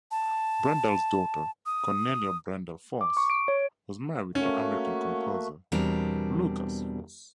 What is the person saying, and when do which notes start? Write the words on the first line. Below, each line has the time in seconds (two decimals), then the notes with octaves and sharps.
Brendel's daughter Cornelia Brendel Foss was married to American composer Lukas Foss.
0.11 A5
1.66 D#6
3.01 D6
3.17 C#6
3.30 D7
3.48 C#5
4.35 A3 A#3 C#4 F#4
5.72 E2 B2 G3 C4 D4 A#4